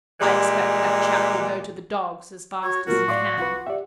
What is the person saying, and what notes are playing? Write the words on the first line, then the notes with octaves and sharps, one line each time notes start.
I expect that chap will go to the dogs as fast as he can.
A#2 E3 G3 G#3 G4
F#4 C#5
A#2 F3 F#3 F#4 A#4
A2 D5 F5 C6 D6
C2 F4 B4 F#5
G4 D5 E5